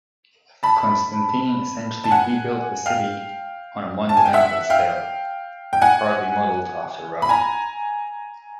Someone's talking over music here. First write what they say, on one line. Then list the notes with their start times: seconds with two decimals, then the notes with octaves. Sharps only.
Constantine essentially rebuilt the city on a monumental scale, partly modelled after Rome.
0.63 A5 B5
2.04 A5
2.11 F#5 G#5
2.86 F5 G5
4.09 A5
4.17 G#5
4.26 G5
4.33 E5 F#5
4.70 F5 G5
5.73 G5
5.82 F#5 G#5
7.22 B5
7.29 G#5 A#5